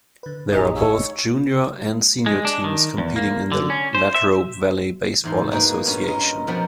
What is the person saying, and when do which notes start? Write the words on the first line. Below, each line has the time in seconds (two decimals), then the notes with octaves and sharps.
There are both junior and senior teams competing in the Latrobe Valley Baseball Association.
0.23 D3 B4
0.52 A1 F2 A2 D#4 G4 G#4 G#5
0.75 C#5 D#5 F5 E6
2.26 G#3
2.45 D4
2.64 D#3
2.98 E2
3.16 A#3
3.52 D3
3.70 C#4
3.95 C5
4.14 E5
5.24 E2 G#2 C6
5.51 A#3 D#4 F#4 G#4 A#4 B4
5.85 G2 B3 C#4 F4
6.04 A#4 D#5
6.47 B2 F3 A#4 F#5 G5 B5